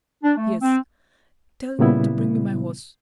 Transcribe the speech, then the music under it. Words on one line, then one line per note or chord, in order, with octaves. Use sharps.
"Yes, tell them to bring me my horse."
D4
A3
C4
A#2 C#3 G3 B3 E4